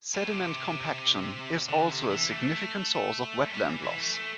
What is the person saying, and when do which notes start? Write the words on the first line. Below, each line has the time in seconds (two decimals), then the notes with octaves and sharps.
Sediment compaction is also a significant source of wetland loss.
0.15 A2
0.30 C3
1.69 D3
1.90 C3
2.10 E3
2.31 A3
3.54 G3
3.69 E3
3.85 E3
4.00 A3
4.15 A3